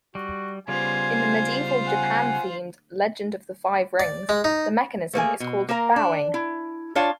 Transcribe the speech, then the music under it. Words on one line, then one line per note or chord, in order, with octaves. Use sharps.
In the medieval-Japan-themed "Legend of the Five Rings", the mechanism is called "bowing".
G3 F#4
C#3 G3 B3 F4 C5 G#5
F#5 G#5
D5
G#3
D#4
A3 A#3 G#4 G#5
B2
A#3 A#4 F5 A#5
D4
E4
D4 F4 C#5 F5 A5